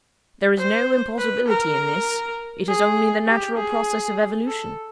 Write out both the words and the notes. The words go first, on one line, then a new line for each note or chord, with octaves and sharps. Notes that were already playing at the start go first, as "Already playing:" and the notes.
There is no impossibility in this; it is only the natural process of evolution.
C5
B4
A#4
G#4
G4
G#4
A4